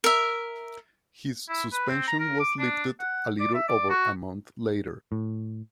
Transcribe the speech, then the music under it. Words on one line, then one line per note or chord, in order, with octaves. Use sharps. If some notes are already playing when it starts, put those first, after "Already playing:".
His suspension was lifted a little over a month later.
A#4 E5
E4
B4
C4
A#5
A#4
D6
D4
F#5
D5
E5
D5
F#4
A2